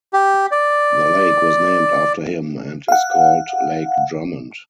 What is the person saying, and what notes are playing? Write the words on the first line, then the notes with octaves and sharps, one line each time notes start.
The lake was named after him, and is called Lake Drummond.
G4
D5
F5 F#5